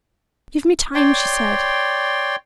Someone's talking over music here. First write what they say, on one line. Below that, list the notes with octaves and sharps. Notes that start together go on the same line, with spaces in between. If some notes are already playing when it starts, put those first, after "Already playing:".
"Give me time," she said.
C#5 D5 G5 C6